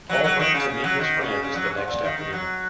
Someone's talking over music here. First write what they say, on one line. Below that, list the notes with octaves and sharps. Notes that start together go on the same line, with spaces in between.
Paul went to meet his friends the next afternoon.
F#3
F#3
D#3
C#3
C#3
F#3
D#3
C#3
C#3
F#3
F#2
G#2
A#2
D#3
D#3
F#3